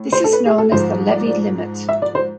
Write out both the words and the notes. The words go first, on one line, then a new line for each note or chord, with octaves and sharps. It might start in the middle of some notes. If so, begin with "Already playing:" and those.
This is known as the levy limit.
Already playing: A2
C5
A4
B4
G#4
A4
G#2 F3 C5
D5
E5
D5
C5